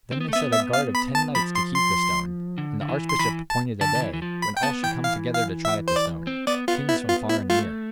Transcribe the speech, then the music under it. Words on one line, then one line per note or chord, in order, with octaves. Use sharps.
Then they set a guard of ten knights to keep the stone, and the archbishop appointed a day when all should come together to try at the stone,--kings from far and near.
C4
B3
A3
E5
B3
E5
F5
B5
A5
F3 B5
C6
C6
D3
D3
E3
C6
E3 B5
A5
D3 A5
D3
E3
E3
F3
B5
G5
B3 A5
E3 G5
F5
F5
E5
C5
D5
C4
B3 D5
B3 F4
E4
F4
E4
A3 F4